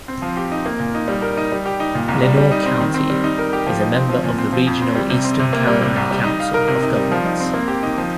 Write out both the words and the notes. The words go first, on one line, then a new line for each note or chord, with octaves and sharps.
Lenoir County is a member of the regional Eastern Carolina Council of Governments.
C4
F3
G4
D#4
A#3
A#2
D#4
G3
A#4
D#4
G3
G4
D#4
A#2
C2
G3
G3
D#4
C4
D#3
C4
G3
D#4
A#4
G4
F3
D#4
C4
F3
A#2
C4
F3
F2
C4
G3
C3
C4
C3
A#3
G3
C3
C2
G3
D#4
F5
A#4
C3
D#4
G3
F3
D#4
C4
A#3
G4
D#4
F3